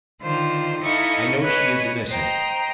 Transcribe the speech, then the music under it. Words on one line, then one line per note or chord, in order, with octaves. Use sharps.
I know she is innocent.
D3 D#3 F4 C5
D#4 E4 A4 D#5 F5 C#6
B4 C#5 D#5 G#5 C#6 F#6
C5 D#5 G5 A#5